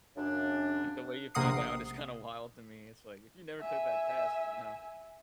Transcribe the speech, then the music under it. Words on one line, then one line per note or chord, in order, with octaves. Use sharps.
like, the way you found out is kinda wild to me. It's like, if you never took that test, you know,
F#2 C#3 D4
A#1 C3 A#3 F#5 D#6 C7
E5 G#5